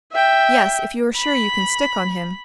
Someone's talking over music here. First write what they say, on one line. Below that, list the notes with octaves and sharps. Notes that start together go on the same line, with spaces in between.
"Yes, if you are sure you can stick on him."
E5 G5
B5